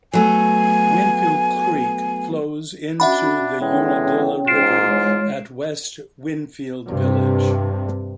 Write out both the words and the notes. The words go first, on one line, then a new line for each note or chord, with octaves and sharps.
Winfield Creek flows into the Unadilla River at West Winfield village.
F#3 A3 B3 G#5
C#4 D4 F#4 E5 F#5 B5
E2 D3 G#3 C#4 C#5 G5
E2 G#2 F4 C7 D7 E7
G#3 C#5
G2 C3